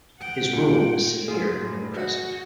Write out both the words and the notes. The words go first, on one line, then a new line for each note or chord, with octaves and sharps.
His rule was severe and oppressive.
F#5 G5
A#2
F#3 F4 G#4
A2
F#4